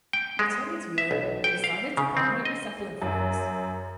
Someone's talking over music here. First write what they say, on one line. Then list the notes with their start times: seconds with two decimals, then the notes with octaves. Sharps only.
Returning to Europe, they decided to permanently settle in France.
0.13 G5
0.39 G#3
0.98 E5
1.11 B1
1.44 G5
1.64 F5
1.97 C#3
2.17 C4
2.45 D#5
3.02 F#2